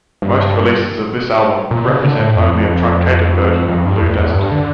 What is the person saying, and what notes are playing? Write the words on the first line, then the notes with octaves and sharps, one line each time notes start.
Most releases of this album represent only a truncated version of "Blue Desert".
G2
A#2
C#3
D3
A2
F2
F2
F2
F2
G2
E2
E2
G2
D3